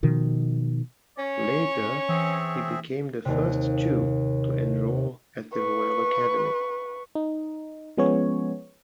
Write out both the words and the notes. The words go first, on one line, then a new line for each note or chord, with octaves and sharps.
Later, he became the first Jew to enroll at the Royal Academy.
B2 D#3 F3
C#4 C#5
E3 C4 G#4 E5
D#2 C3
B4 C#6
D#4
F3 G#3 B3 C#4 C#5